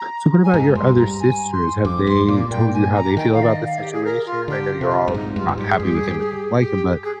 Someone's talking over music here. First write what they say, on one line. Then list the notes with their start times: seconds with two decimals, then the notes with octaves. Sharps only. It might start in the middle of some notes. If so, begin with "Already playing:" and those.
So, what about your other sisters? Have they told you how they feel about the situation? I know you're all not happy with him and don't like him, but
Already playing: A#5
0.44 G#5
0.54 G#2 A#5
0.75 G2 C6
0.98 G2 A#5
1.20 G#5
1.52 C6
1.85 F2 D6
2.07 G2 C6
2.28 A#2 D6
2.50 A#2 G5
2.73 G#5
2.95 A#5
3.17 D#3 G5
3.33 F5
3.42 D5
3.49 D#5
3.66 F5
3.80 G4
3.93 G#4
4.04 A#4
4.26 F4
4.48 D3 G4
4.81 C3 F4
5.08 G2
5.13 G#2 D#4
5.36 G2 F4
5.49 G2
5.57 G#2 G4
5.70 G#4
5.80 G2 G4
5.94 G#4
6.07 G4
6.18 G#4
6.31 G4
6.43 G#4
6.56 G4
7.03 G#4